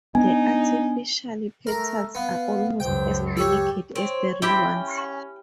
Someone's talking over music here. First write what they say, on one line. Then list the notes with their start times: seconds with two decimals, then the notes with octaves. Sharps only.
The artificial petals are almost as delicate as the real ones.
0.15 B3 D4 D#4 G#5
1.67 A3 A#4 A#5
2.15 B3 F5
2.80 C#2 F#2 C5 G5
3.37 G4 A4 C#5
3.95 C4 C#5
4.42 C4 E4 G4 G5
4.73 C#4